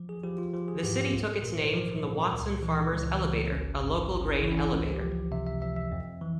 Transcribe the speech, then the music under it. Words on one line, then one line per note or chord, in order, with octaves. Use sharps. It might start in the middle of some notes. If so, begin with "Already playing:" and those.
The city took its name from the Watson Farmers Elevator, a local grain elevator.
Already playing: F3
G#4
F3 G4
F4
F3 F4
G#4
G#2 G4
G4
C2 F4
G#4
A#2 A#4
C5
F3 A#4
A#2
C#2
E3
C#2
C#2
G#1 C#4
G2
G#1 C#4
E4
E3
E4
C#4
C#2 F4
G4
F3
C3 E5
E5
F3 E5
E5
F2
E3